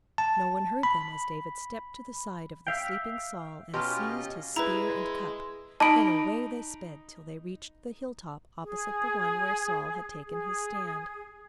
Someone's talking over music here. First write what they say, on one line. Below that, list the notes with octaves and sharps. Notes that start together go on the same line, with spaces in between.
No one heard them as David stepped to the side of the sleeping Saul and seized his spear and cup; then away they sped till they reached the hilltop opposite the one where Saul had taken his stand.
A5
B5
E5 F5 G5
B2 C#4 F4 G4 D#5 A#5 C6 F6
G#3 E4 B4 A#5
D#4 A5 B5 D7
G#4
G#4